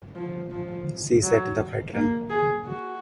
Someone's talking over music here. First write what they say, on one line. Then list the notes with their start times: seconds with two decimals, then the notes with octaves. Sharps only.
She set the pattern.
0.15 F3
0.51 F3
1.23 F#3
1.94 A#3
2.30 G#4
2.66 F#4